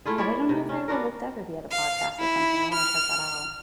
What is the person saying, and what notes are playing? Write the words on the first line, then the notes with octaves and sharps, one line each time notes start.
but I don't know if I ever looked up if he had a podcast or something. I wanna check that out.
A3 E4 F4 G#4
E4 C#5 D5
C3
C#4
B3 D4 F#4 A#4
F5
E4
F6